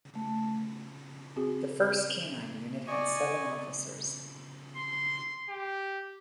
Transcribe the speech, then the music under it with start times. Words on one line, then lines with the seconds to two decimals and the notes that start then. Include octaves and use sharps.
The first canine unit had seven officers.
0.15 A3
1.36 C4 F#4 G#4
2.88 D5 D#5 G#5 C#6
4.76 C6
5.49 G4